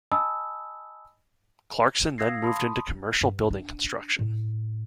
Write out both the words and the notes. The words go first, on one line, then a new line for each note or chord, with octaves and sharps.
Clarkson then moved into commercial building construction.
D#5 G#5 A5 B5 D#6 E6
F5 D#6 E6 G#6 A#6 C7
A5 B5 C6 D#6
G2
D4
A2